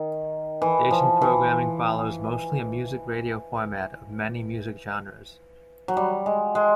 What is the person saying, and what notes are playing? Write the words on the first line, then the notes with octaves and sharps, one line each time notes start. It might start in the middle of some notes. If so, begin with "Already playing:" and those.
Station programming follows mostly a music radio format of many music genres.
Already playing: D#3
E3
F3
E3
F#3
G3
G#3
G#3